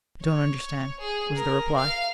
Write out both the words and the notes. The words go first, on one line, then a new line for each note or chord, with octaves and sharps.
"I don't understand," was the reply.
C#5
G#4
A#4
F5